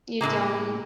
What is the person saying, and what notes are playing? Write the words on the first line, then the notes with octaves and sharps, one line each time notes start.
You don't.
A2 D3 G#3 A#3